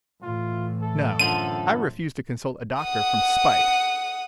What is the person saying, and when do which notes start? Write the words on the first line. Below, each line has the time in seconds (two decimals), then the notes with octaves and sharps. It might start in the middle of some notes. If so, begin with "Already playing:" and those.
No, I refuse to consult a doctor from spite.
0.23 A2 E3 F4
0.83 A4
1.19 F#2 D3 F3 D#7
2.82 F#5 D#6